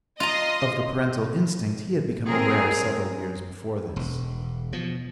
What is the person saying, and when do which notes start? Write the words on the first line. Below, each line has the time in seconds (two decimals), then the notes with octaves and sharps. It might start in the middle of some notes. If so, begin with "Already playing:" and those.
Of the parental instinct he had become aware several years before this.
0.20 F4 D#5 A#5 C6
2.26 C4 G#4 A#4
3.96 E1
4.73 B2 F3